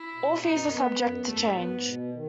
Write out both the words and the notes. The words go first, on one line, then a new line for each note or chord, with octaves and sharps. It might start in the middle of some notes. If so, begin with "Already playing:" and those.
All fees are subject to change.
Already playing: E4
B2
B2
A2
B2 D#4
F#2
B3
F#2
E2
F#2 A3
A2
G#2 B3
G#2
B2
D#3